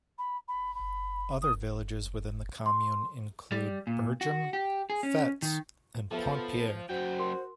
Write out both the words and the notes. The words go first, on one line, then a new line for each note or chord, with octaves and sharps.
Other villages within the commune include Bergem, Foetz, and Pontpierre.
B5
B5
B5
D#6
C6
G3
A#2
F#4
G4
G#4
C#4
D#3
F3 B3 A4 B4 E5 A5
F#2 F#4 C5 G5
A#4 C6